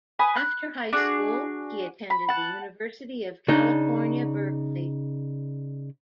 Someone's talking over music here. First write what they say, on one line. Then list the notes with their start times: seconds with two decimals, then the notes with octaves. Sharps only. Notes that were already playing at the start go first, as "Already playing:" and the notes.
After high school, he attended the University of California, Berkeley.
0.19 B4 G#5 D#6
0.36 F#6
0.93 D4 F#4 G#4
2.10 B5
2.29 F#5 A5
3.48 C#3 D4 D#4